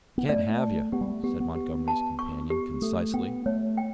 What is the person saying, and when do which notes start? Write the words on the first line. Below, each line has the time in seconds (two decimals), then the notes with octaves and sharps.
"Can't have you," said Montgomery's companion, concisely.
0.18 B3
0.29 A3 D5
0.60 A5
0.92 B3 G4
1.01 G3
1.08 A3
1.23 B3 G4
1.40 B3
1.55 G4
1.88 A5
2.19 C#6
2.50 G4
2.82 A3 A4
3.14 B3 G5
3.46 A3 C#5
3.77 G5